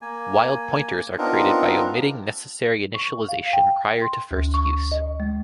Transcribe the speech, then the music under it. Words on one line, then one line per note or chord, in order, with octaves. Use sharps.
Wild pointers are created by omitting necessary initialization prior to first use.
A#3 G#5
B3 C4 D4 D#4 F4 A#4
C#6
F5
G5
C6
D2
C#6
D#5
G#3